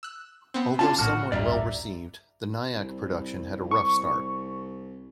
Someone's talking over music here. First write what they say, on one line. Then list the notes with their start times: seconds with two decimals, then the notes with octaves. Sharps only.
Although somewhat well received, the Nyack production had a rough start.
0.03 E6 F#6
0.54 B3 C4
0.79 D3 C#4 F4 A5 F6
0.99 A#1 A2 F#4 F6
1.32 A1 D2 G2 D5 E5 A#5
2.75 C2
3.71 C#6